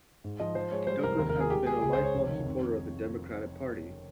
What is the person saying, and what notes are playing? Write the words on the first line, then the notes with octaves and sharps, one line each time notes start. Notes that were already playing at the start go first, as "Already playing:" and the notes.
Douglas has been a lifelong supporter of the Democratic Party.
G#2
F3 D#5
F3 C5
G#3 C#5
G3 C5
F1 A#4
D#2 A#4
A#4
D#3
G#4
G#3 G4
G#3 G#4
C#2 G#4
C#2 C5
C#5
F1
D#3
F2